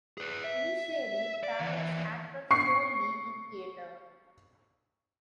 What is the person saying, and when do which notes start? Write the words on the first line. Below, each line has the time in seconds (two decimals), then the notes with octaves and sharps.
Initially, Parros acted solely in theater.
0.18 G#4 B4
0.44 E5
1.43 D5
1.59 D#2 E3
2.51 C#6 C7